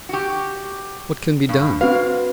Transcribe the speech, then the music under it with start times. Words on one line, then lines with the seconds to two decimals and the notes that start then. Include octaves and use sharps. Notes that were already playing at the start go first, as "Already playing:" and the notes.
"What can be done?"
0.09 F#4 G4
1.49 G2
1.81 C4 F#4 B4 F5